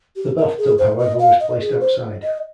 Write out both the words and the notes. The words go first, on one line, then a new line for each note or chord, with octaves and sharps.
The bath tub however was placed outside.
G4
A#4
G#4
C5
D#5
F5
D#5
G#4
C5
D#5